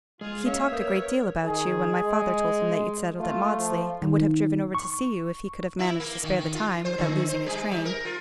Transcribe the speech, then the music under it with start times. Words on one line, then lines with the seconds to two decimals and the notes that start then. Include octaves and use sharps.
He talked a great deal about you, when my father told him that you'd settled at Maudesley, and would have driven over to see you if he could have managed to spare the time, without losing his train.
0.21 G#3 F4 G#4
0.46 A#3 C#4 C#5 E5 F5
0.72 A#4 B4 D#6 G6
1.45 D#3 G#4
2.03 G#3
3.20 A3 F4
3.58 F3
4.02 D#3
4.75 C#6
5.79 E4
6.00 A#3
6.23 D#3
6.39 D#3
6.55 F4
6.85 C5
6.98 D3
7.29 C5
7.46 G3
7.71 G3
7.85 A#4
8.05 F4